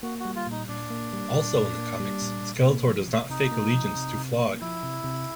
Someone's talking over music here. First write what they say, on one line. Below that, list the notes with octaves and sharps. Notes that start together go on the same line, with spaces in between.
Also in the comics, Skeletor does not fake allegiance to Flogg.
A#3 F#4
F#4
G3
F4
A#2 D#4
A#2 D4
A#3
G3
A#2
A#2
A#3
G3
A#2
A#2
A#3
F3
C3
C3 D#4
A#3
F3
C3
C3
A#3
F3 E4
C3
C3